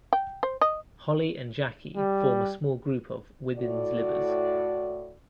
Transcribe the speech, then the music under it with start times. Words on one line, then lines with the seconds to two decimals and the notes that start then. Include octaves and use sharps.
Holly and Jackie form a small group of "women's libbers".
0.13 G5
0.43 C5
0.61 D#5
1.96 G3
3.57 A2 F#4 D5